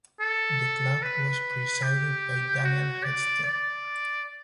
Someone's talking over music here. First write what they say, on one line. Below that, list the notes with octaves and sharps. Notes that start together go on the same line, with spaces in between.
The club was presided by Daniel Hechter.
A4
B4
G4
F#4
D5
D5